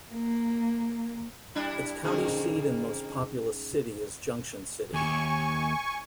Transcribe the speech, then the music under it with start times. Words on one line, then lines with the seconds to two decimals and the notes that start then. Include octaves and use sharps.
Its county seat and most populous city is Junction City.
0.14 A#3
1.55 G3 D4 E4
2.04 F2 D3 A#3 C#4 D#4 G#4
4.93 D#2 G#5 C#6